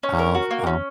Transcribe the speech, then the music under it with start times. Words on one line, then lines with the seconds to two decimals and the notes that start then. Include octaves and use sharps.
I'll I'll
0.03 C#4
0.19 A#4
0.35 F#4
0.51 A#3
0.67 C#4